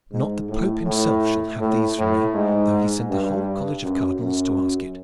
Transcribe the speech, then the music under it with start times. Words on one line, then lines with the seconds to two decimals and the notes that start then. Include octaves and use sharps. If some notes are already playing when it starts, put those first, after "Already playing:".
Not the Pope himself shall have these from me, though he sent the whole college of cardinals to ask it.
0.11 G#2
0.48 A2
0.86 A2
1.60 A2
1.97 A2
2.34 G#2
3.10 G2
3.83 F#2
4.22 F#2